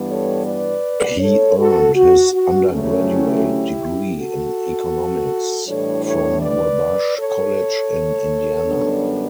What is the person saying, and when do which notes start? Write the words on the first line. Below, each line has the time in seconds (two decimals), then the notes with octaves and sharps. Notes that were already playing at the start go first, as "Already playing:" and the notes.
He earned his undergraduate degree in Economics, from Wabash College in Indiana.
Already playing: G2 E3 G3 B3
0.09 A4 C#5
0.46 B4 D5
1.20 A4 C#5
1.57 F#4 A4
1.94 F#4
2.32 F#4
2.69 D2 C#3 F#3 A3 C#4
3.07 E4 G4
4.19 F#4 A4
5.68 A2 E3 G3 D4 A4 C#5
6.05 A4 C#5
6.42 B4 D5
7.17 A4 C#5
8.66 F#2 D3 G3 B3 D4